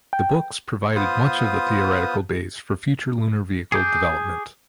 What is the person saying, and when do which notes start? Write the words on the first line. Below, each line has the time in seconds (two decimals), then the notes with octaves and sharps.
The books provided much of the theoretical base for future lunar vehicle development.
0.13 G5
0.96 B3 F4 B4 C5 D#6
3.72 G#4 D6 G6